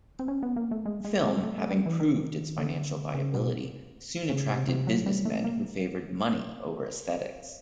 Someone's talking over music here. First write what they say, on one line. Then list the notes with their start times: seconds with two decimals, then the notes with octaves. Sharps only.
Film, having proved its financial viability, soon attracted businessmen who favoured money over aesthetics.
0.19 C4
0.28 C#4
0.43 B3
0.56 A#3
0.71 A3
0.86 G#3
1.05 G#3
1.24 G#3
1.43 A3
1.58 A3
1.71 G3
1.86 E3
2.00 D#3
2.58 D3
3.14 C#3
3.34 B2
4.30 C#3
4.48 C3
4.68 C3
4.87 F#3
5.06 G3
5.25 A3
5.44 A#3